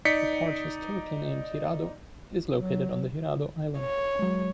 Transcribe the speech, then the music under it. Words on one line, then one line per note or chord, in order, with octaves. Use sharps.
The part historically named Hirado is located on the Hirado Island.
D#4 D5 B6 C#7
F#3
C#5
F#3 G#3